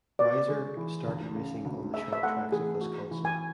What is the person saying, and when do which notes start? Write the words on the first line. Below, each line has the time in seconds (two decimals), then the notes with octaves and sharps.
Reiser started racing on the short tracks of Wisconsin.
0.19 F#4 D5
0.48 G#3
0.77 E3
1.06 D2
1.35 C#3
1.65 D2
1.94 G#4 E5
2.13 E5
2.23 A3 F#5
2.52 E3 G#4
2.81 F#4
3.11 E3
3.25 G#5